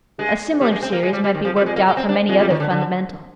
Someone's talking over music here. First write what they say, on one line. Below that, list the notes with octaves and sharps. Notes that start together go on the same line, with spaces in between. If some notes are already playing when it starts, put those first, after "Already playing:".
A similar series might be worked out from any other fundamental.
G2 G#3
G#2
G2 G3
G#3
C4
A#3
G#3
G3
G3
D#3
F2 F3
G3
F2
G#3
A#3
G#3
C4
D4
F2 G#3
G3
D#3
D3
D3